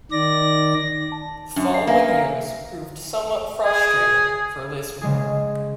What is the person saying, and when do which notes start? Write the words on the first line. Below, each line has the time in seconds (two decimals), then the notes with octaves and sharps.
The following years proved somewhat frustrating for Lismore.
0.11 D#3 D5 A#6
1.12 A5
1.56 F#2 D4
1.74 C7
1.87 A#3 E5 F5 G#5
3.65 G#4
5.01 C#3 G#3 G#4